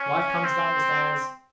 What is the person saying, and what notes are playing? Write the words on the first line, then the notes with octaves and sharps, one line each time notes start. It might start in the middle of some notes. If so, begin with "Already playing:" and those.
Wife comes down the stairs.
Already playing: C#4
C4